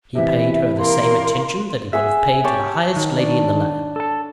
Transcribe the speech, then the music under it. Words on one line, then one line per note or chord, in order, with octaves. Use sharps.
He paid her the same attention that he would have paid to the highest lady in the land.
C3 E3 E4 E5
A#3 A#4 C6
G#4 E5 F#5 E6
G4 C#5 A5
D#3
D4
A4 A5